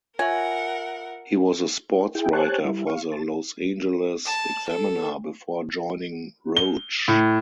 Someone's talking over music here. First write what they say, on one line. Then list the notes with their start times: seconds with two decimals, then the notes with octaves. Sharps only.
He was a sports writer for the "Los Angeles Examiner" before joining Roach.
0.19 F4 A#4 C#5 E5 F#5 G#5
2.15 E4 G#4 G5
2.33 G4 C5 C#5 G#5 A5 F#6
2.65 G3 E4
2.87 F5 C#6
3.12 A5
4.25 A5
4.68 A4
6.57 G7
7.08 A2